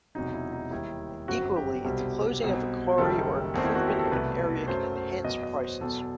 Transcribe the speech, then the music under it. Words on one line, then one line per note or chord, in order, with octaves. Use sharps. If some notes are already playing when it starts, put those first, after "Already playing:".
Equally, the closing of a quarry or improvement of an area can enhance prices.
E1 E2 C3 F#3 D#4
E4
D#4
D#2 D#3 G3 E4
G1 F#2 F#3 C4 F#4
F#4
G4
C2 B2 G3 C4
B1 B2 G3 C4
F#1 F#2 D#3 G3 A4
E2 D#3 A3 C4
E4
F#4
G4
A4
C2 B2 A3 B4
F#2 F#3 A3 C5
C5
E2 B2 F#3 B3 D#5
D#5
C5
E2 B2 F#3 B3 A4
A4